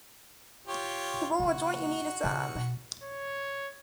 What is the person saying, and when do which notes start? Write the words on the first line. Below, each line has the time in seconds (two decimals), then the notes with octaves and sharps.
To roll a joint you need a thumb.
0.67 F4 G4 C#5
1.40 C#3 A#3 F#4
2.24 C#3
2.55 B2
3.03 C#5